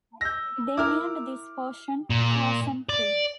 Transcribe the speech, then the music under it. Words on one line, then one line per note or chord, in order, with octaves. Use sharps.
They named this portion Carson Creek.
E6 G6 A#6
E4 A#4 D6 F6
A#2
D5